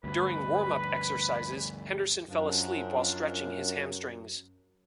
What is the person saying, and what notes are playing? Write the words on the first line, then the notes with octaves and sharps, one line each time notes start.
During warmup exercises Henderson fell asleep while stretching his hamstrings.
D2 G2 B4
F#2 F3 D4